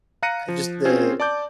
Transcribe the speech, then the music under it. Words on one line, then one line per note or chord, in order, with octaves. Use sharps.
uh, just the
F5 A#5 F#6 A#6 C#7 D#7
F3
C4 C#4 F4 G#4 C5
D5 A5 D6 G6